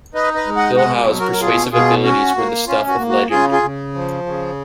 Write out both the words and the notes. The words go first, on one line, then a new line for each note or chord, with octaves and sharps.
Bill Howe's persuasive abilities were the stuff of legend.
D#4 B4 D#5
B4 D#5
G#3
D#5 F#5
B2 D#5 F#5
F#3
F#4 A#4
A#4
B2 F4 G#4
B2 F4 G#4
C#4 F#4
A#3
C#4 F4
F#4
A#3
F#4
C#3 F4 G#4
F4 G#4
C#3
F3
C#3